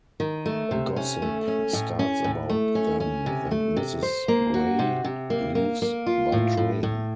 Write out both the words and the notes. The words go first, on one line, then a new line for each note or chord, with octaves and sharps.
Gossip starts about them and Mrs Gray leaves by train.
D#3
A3
C3
C#4
A3
C#4
A2
C#4
A2
A3
C#4
C#4
C3
A3
C3
C5
A#3
F#4
C3
C3
A#3
A#3
A#3
F4
A2
A2
A2